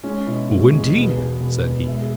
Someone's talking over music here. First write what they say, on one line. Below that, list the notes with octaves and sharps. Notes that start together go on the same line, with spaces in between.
"Who, indeed?" said he.
G#3 C#4
B2 E4
G#3 E4
F#4
E2 G#4
E1 G#4
B4
G#4
E2
E1
E1
G#3 E5
G#4